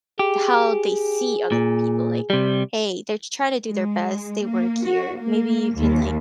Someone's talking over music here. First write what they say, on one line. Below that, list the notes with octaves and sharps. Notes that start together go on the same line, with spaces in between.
how they see other people, like, "Hey, they're trying to do their best, they work here, maybe you can, like,
G4 G#4
A#2
C3 G3
G#3
A#3
F#4
A#3
D#2